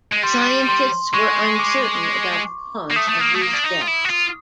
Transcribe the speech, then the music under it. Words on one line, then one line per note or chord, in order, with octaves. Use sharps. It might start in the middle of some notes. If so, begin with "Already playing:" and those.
Scientists were uncertain about the cause of these deaths.
G#3
G3 C6
C6
G#3 C#6
D6
A#3
A3 D#6
A3
A#3
A3
A#3
D4
D#4
F4
E4
F#4
F4